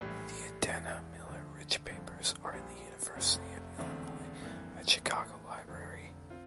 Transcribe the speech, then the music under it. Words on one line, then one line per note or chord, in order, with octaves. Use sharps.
The Adena Miller Rich papers are in the University of Illinois at Chicago Library.
A#1 A2 E3 G3
E1 E2 E3
D2 D3 F3
G1 F2 D3 F3
A#1 A#2 G3
F1 F2 C3 F3 A3
E1 E2 D3 A3 C4
G1 F2 E3 A#3
A2 E3 A#3
F1 F2 D3 F3
C4 F4